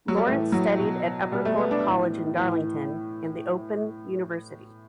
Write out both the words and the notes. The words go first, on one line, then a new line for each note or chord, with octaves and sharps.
Lawrence studied at Upperthorpe College in Darlington, and the Open University.
F#3
G3
A2 E3 A3
F#3
B2
B2 G3
A3
B3
D4
A2 E3
A2 E3